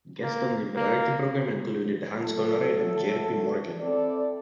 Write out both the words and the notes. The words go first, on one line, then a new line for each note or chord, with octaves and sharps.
Guests on the variety program included Hans Conried and Jaye P. Morgan.
A#3
A#3
F#3 A3 A4
C4 E4 A4 D5